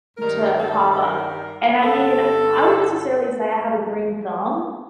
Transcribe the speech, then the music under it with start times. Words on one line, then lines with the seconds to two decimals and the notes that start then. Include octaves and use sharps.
to pop up. And I mean, I wouldn't necessarily say I have a green thumb,
0.17 G2 D#3 G3 A#4
0.59 A4
0.91 A4
1.00 A#4
1.82 G2 D3 G3 A4